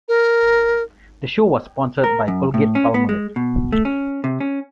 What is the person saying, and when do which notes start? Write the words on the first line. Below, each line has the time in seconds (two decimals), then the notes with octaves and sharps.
The show was sponsored by Colgate-Palmolive.
0.08 A#4
2.04 A#4
2.28 F#2
2.54 A2
2.75 C#4
2.94 B3
3.09 G#3
3.36 B2
3.72 A3
3.85 C#4
4.24 C3
4.40 C#4